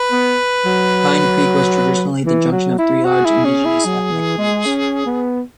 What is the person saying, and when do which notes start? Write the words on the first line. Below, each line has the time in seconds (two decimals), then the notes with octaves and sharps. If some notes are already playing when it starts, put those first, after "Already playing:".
Pine Creek was traditionally the junction of three large indigenous ethnic groups.
Already playing: B4
0.12 B3
0.65 F#3
2.26 E3
2.52 F#3
2.78 E4
3.05 F#4 G#4
3.26 E4
3.45 C#4
3.65 E4
3.85 F#3
4.12 E3
4.38 G#3
4.66 C#4
5.06 B3